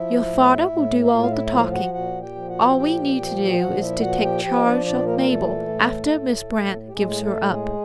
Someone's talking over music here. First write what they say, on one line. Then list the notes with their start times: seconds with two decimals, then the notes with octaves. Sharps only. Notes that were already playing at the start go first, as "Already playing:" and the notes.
"Your father will do all the talking. All we need to do is to take charge of Mabel, after Miss Brant gives her up."
Already playing: F3 E4 E5
0.27 A2
0.69 A2
1.03 E5
1.10 A2 F4 F5
1.21 F5
1.31 E4 E5
1.46 E5
1.52 F3 F4 F5
1.73 F#4 F#5
1.94 A#2 F#4 F#5
2.22 G4 G5
2.36 F3
2.49 F#4 F#5
2.77 A#2 G4 G5
3.19 F3
3.51 G5
3.60 A#2 F#4 F#5
3.81 E4 E5
4.02 F3 F#4 F#5
4.23 G4 G5
4.43 F3 G4 G5
4.57 D#5
4.64 D4 D5
4.85 A#2 D4 D5
5.06 A#3 A#4
5.19 A#4
5.27 E3 A3 A4
5.68 A2
6.10 A2
6.52 A2
6.88 G4
6.93 A2 G#3 G#4
7.10 G#4
7.22 A3 A4
7.35 A2
7.49 G#3 G#4